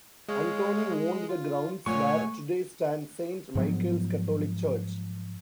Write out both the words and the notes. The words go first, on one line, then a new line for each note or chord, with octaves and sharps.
Anthony owned the grounds where today stand Saint Michael's Catholic Church.
G#3 C#5 F5
F4
A#2 A3 C#5 F#5 G#5 C#6
G#2 F3 F#3 B3